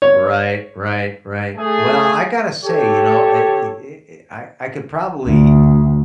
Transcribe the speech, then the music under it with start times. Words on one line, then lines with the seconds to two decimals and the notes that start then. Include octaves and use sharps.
Right, right, right, well, I gotta say, you know, I, eh eh eh, I I could probably
0.02 C#5
1.57 A3 G#4
2.65 G4 A4 C#5
5.27 D2